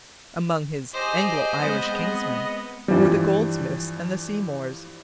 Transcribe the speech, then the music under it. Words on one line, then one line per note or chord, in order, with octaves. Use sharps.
Among his Anglo-Irish kinsmen were the Goldsmiths and the Seymours.
G4 G#4 C5 D#5
G#3 B3 C4
G2 E3 F3 G3